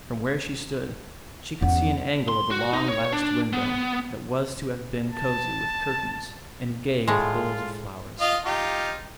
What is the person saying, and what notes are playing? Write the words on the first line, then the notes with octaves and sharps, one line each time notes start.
From where she stood she could see an angle of the long latticed window that was to have been cosy with curtains and gay with bowls of flowers.
E2 C#4 F#5
C6
F#4
D#4
C#5
D4
B3
A5
A2 G#3 F4
F4 D#5 F5
D#4 F4 G4